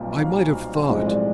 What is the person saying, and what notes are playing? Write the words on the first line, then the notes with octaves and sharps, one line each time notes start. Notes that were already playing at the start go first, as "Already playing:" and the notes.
"I might have thought!"
Already playing: B1 A#2 G3 C4
F5
B1 A2 F3 G#3 C4 D#5
D5